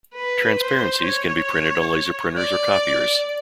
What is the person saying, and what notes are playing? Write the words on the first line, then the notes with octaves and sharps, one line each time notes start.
Transparencies can be printed on laser printers or copiers.
B4
C5
C#5
D5